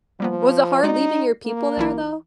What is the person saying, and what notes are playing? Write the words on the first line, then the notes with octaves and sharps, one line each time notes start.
Was it hard leaving your people there, though?
F3 G3 A#3 B3
G#3 D#4 F#4 D5
A#3
B1 E3 E4